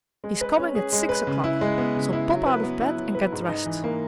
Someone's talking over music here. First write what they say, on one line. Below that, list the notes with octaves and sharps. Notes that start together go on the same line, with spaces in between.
He is coming at six o'clock; so pop out of bed and get dressed.
G#3
B4
C#4
G#4
G#3
B4
C#3
E4
G#3
B3
C#3
E4
F#3
B4
B3
E4
F#3
B4
G#2
D#4
E3
A#3